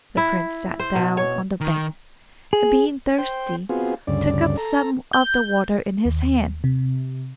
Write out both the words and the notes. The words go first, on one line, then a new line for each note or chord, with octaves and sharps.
The prince sat down on the bank, and being thirsty took up some of the water in his hand.
E4
C5
B2
C#5
D#3
G#4
C5 G5
B3 C4 F4 F#4 G#4
D2 G2 C#3 D5
A4 A#5
G6
D#2
C3